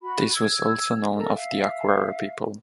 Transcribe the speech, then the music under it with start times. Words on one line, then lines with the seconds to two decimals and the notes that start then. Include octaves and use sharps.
This was also known of the Acuera people.
0.01 F#4 B5
0.34 E6 G#6
1.16 A4 A#4 D#5 A#5
1.34 E5 F5